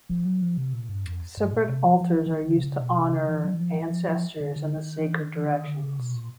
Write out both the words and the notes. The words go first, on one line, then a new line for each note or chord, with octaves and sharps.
Separate altars are used to honor ancestors and the sacred directions.
F3
F#3
F3
C3
A#2
G2
F2
G2
A#2
C3
F3
F3
E3
E3
D#3
D3
C3
C#3
B2
C3
C#3
E3
F#3
E3
F3
E3
F3
F3
D3
D3
D#3
E3
D#3
E3
D3
D#3
D3
C#3
B2
A#2